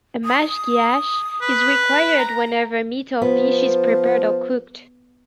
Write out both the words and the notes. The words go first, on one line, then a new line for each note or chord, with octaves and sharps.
A mashgiach is required whenever meat or fish is prepared or cooked.
D#6
B4
A#5
F3 B3